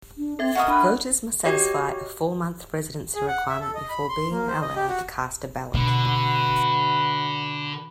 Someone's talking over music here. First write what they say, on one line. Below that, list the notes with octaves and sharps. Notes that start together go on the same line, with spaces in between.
Voters must satisfy a four-month residency requirement before being allowed to cast a ballot.
D4
C4 A4 E5 G#6
F#4 A#4 D#5 D#6
D4 B5 F#6
F#4 G4 C#5 D#5
G#4
F#5
E5
A4
D#5
B5
C6
A#3
C5
D#5
G4
F#4
B2 D3 F#4 B4